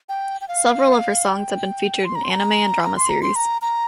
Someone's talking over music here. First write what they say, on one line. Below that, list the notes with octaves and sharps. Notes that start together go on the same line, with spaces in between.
Several of her songs have been featured in anime and drama series.
G5
G5
F5
G5
C6
A#5
C6
G#5
A#5
A#5
C6
A#5
C6
A#5
A#5